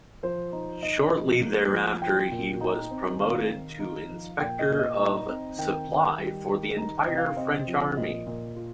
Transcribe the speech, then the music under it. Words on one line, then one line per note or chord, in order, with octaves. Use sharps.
Shortly thereafter he was promoted to Inspector of Supply for the entire French army.
F3 C5
D#4
D#4 D#5
F3
A#3
F3
F4 G5
A#2
D#4
C4
D#3 F5
D#3
D#4
F3
A#2 G5
D#5
A#2
D#5
D#4
C4
D#3 G5
D#3
G3
D#3
D#4 A#5
G5
C3 D#5
F5
C4 D#5
F3
A#2 D#5
A#2
F4